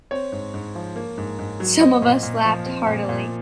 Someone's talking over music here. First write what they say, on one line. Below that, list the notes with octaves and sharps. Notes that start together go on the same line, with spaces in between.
Some of us laughed heartily.
C4 C#5
G#2
G#2
F3
A#3
G#2
G#2
F#3
C4 D#5
A#2
A#2
F3
C4
A#2
A#2